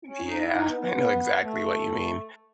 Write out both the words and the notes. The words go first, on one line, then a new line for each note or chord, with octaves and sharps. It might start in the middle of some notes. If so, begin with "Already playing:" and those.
Yeah, I know exactly what you mean.
C#4
D#4
E4
D#4
B3
B3
B3
A3